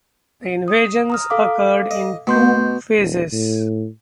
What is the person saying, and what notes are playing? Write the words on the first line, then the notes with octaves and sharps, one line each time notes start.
The invasions occurred in two phases.
D#6
A#5 D#6 F6
A4 F5 D6
D#5
B2 A3 C6 G6
D#1
A2